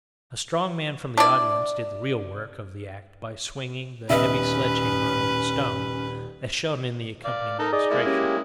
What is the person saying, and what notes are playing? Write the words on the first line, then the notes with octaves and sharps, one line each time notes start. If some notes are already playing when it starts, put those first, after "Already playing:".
A strong man from the audience did the real work of the act by swinging the heavy sledge-hammer on the stone, as shown in the accompanying illustration.
D4 E4 D5
D#1 B3 C#4 B4 D#5 E5
D5 F5
D#4 A4 A#4
D#4 G#4 D5 D#5
G#3 A#3 E4
C#4 G4